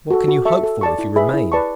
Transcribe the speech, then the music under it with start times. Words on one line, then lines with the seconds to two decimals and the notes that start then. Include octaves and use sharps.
What can you hope for if you remain?
0.10 F#4 A4
0.28 F#4
0.45 A4 E5 A5 C#6
0.63 A4
0.81 D5 A5 C#6
0.99 E4
1.16 G#4 B4 E5 B5
1.34 E4
1.52 B4 D5 A5 C#6